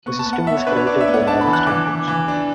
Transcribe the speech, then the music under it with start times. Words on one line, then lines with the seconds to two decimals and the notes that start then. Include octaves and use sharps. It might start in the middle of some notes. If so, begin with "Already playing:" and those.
The system was primitive by modern standards.
0.06 B3 C#6
0.19 A5
0.26 B3
0.33 F#5
0.46 B3 E5
0.57 C#5
0.67 D4 B4
0.77 C#5
0.87 D4 D5
1.01 E5
1.08 B3
1.14 F#5
1.27 D4 A5
1.41 B5
1.47 E3
1.53 F#6
1.67 E3 D6
1.87 E3
2.08 E3
2.28 D4